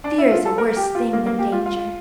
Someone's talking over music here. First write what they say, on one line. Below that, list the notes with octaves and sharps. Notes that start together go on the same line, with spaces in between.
Fear is a worse thing than danger.
D4
E4
F4
A4
A#4
G4
F4
A#3
A#3
G4
F4
F4